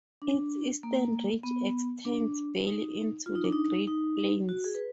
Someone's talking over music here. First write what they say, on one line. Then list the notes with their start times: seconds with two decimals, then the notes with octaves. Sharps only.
Its eastern range extends barely into the Great Plains.
0.22 D4
0.83 A#3
1.43 B3
2.05 D4
2.66 D#4
3.26 F4
3.35 D#4
3.44 D4
3.52 D#4
3.87 D#4
4.49 F#4
4.64 G#4
4.75 B4